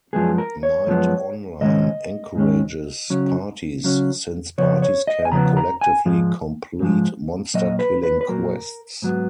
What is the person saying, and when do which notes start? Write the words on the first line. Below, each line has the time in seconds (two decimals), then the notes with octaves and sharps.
Knight Online encourages parties, since parties can collectively complete monster-killing quests.
0.13 F#2 F3 G#3 B3 G#4
0.38 A#4
0.63 C#5
0.87 F#2 F3 G#3 B3
1.61 G#2 D#3 G#3 C#4 D#5
2.35 G#2 D#3 G#3 C#4
3.10 C#3 F#3 C#4
3.84 C#3 F#3 C#4
4.58 C#3 F3 B3 C#5
4.82 C#5
5.07 D#5
5.25 G#5
5.32 C#3 F3 B3 A#5
5.57 A#5
5.81 G#5
6.06 G#2 F3 G#3
6.80 G#2 F3 G#3
7.54 A#2 F#3 A#3 D#5
7.79 B4
8.03 B4
8.21 B4
8.28 A#2 F#3 A#3 A#4
9.02 G#2 F#3 B3